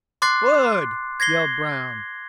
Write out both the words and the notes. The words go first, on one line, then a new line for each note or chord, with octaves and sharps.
"Wood!" yelled Brown.
C6 D6 F#6 A6 C7
G#6 A#6 C7 G7